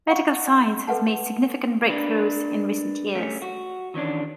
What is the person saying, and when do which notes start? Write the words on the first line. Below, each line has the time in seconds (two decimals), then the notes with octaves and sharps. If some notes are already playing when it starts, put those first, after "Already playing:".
Medical Science has made significant breakthroughs in recent years.
0.07 F5 F#5 C#6
0.87 A4 B4 E5 F#5 A5
1.89 D4 A#4 B4
3.15 G3 A3 C#4
3.42 F#4
3.94 D#3 E3 C#4 D4